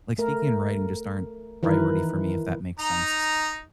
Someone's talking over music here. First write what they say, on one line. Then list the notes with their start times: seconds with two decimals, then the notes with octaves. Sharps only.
like, speaking and writing just aren't priority for me if that makes sense.
0.18 A3 A#4
1.63 D#3 E3 A#4 B4
2.79 D#4 A#5